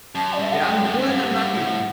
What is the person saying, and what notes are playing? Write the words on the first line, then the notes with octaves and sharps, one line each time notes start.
Wir haben die Bullen im Nacken.
F#2 A5
D5
G2 E5
F#5
F#2 G5
F#2
F#2
G2 F#5
G2
A2